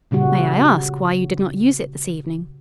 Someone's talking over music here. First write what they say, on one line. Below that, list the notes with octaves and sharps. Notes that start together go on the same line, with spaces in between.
"May I ask why you did not use it this evening?"
A#2 C#3 G3 F#4